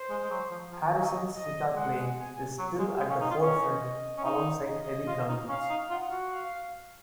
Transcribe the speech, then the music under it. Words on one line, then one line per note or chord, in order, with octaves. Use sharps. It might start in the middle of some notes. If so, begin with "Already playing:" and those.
Harrison's sitar playing is still at the forefront, alongside heavy drumbeats.
Already playing: C5
G#3
G#3
F#3
F3
F3
F#3 D#5
D#5
G#3 F#5
G#5
F#3
G#3
G#3 F5
C#4
D#4
F4
C#4 D#5
C#4
D#4
D#5
F4
D#4
C#4 F5
D#4
F4 F#5
F#4
F5